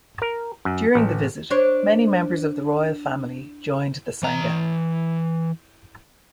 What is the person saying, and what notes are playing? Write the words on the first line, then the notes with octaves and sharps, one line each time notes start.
During the visit, many members of the royal family joined the sangha.
A#4
F#2
A1
D4 C5 C#5
E3 A#5